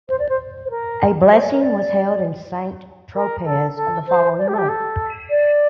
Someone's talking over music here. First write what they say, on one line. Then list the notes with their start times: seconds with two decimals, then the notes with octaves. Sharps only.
A blessing was held in Saint Tropez the following month.
0.09 C5
0.19 D5
0.29 C5
0.65 C5
0.70 A#4
1.31 C5
1.40 D5
1.52 A#4
1.61 D5
3.15 A#4
3.45 A4
3.76 A4
4.08 C5
4.38 D5
4.48 G4
4.54 A4
4.58 G4
4.68 A4
5.30 D5